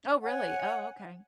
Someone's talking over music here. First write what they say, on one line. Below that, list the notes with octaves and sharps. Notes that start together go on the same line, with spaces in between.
Oh, really? Oh, okay.
C#5 F#5 G#5